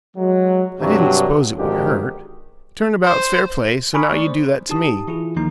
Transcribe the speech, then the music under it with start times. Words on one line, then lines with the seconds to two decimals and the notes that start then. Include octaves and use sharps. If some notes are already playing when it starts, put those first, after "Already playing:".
"I didn't s'pose it would hurt. Turn about's fair play; so now you do that to me."
0.17 F#3 G#3
0.81 G2 C3 F#3
1.58 G#1 F2 D3 D#3 G#3 G4
3.04 C5
3.94 G#5 A#5 B5 C#6 D#6 F6
4.12 A3 D5 C#6
4.27 C5
4.69 D#4 G4 A5 D#6
5.07 E3 E4 F4 G#4
5.36 C#2 D#3 F3 A#3 D#4 A#5